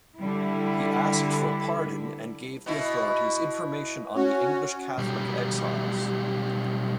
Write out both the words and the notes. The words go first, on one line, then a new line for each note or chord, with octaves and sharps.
He asked for pardon and gave the authorities information on the English Catholic exiles.
D3 G3 E4
B2 E4
C#4 F#4
B1 G3